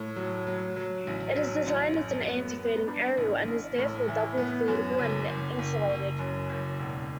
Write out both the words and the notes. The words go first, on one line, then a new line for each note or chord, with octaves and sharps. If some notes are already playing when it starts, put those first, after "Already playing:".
It is designed as an antifading aerial and is therefore double-feedable and insulated.
Already playing: A2
F#3
F#3
F#3
A1
F#3
A1
F#2
B3
B3
D4
A1
A1
A2
E3
B3
F#2
F#1
F#1
F#1
F#1
F#2
F#1
E1